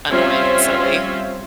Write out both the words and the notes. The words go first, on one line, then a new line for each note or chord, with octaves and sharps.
annoying and silly,
G3 C4 C#4 F4 C5 E5